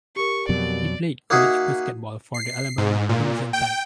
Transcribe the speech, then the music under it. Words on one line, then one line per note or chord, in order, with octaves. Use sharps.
He played college basketball for the Alabama Crimson Tide.
G4 A#4 C#6
F2 B2 F#3 D5
A#3 D#4 F#4 G#4 E5
C7
G#2
A#2
G5